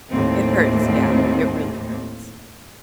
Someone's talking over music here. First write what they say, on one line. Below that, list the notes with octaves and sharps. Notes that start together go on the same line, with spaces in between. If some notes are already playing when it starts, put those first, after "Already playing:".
It hurts, yeah, it really hurts.
D#2 A2 C4